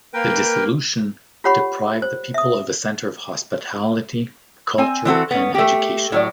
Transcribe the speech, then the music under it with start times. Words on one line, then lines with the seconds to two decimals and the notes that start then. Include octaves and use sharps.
The dissolution deprived the people of a centre of hospitality, culture and education.
0.13 A#3 A#4 B4 G5
1.44 F4 G4 C#5 F#5 B5 C#6
2.02 C5
2.34 E5 D#6
4.78 C4 G#5
5.05 E3 C4 F#4 A4
5.31 B3 C#4
5.54 A3 G4
6.12 A2 F#3 D5